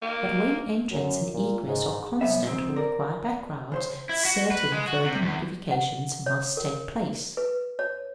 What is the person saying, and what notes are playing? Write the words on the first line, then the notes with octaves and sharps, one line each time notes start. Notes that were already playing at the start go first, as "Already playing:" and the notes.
But when entrance and egress are constant, or required by crowds, certain further modifications must take place.
A#3
F#2
A#2
G#2
C2 F#2 B3 E5
F2 G#2 C4
A#4 D5
C#3 C5 C6
E4
F#4
B4
G#3
F#4
C3
E2
F#5
C#5
A#4
B4
C#5